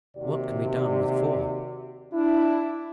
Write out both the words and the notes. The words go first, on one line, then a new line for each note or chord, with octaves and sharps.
"What can be done with four?"
D#2 C3 F#4 D5
D4 E4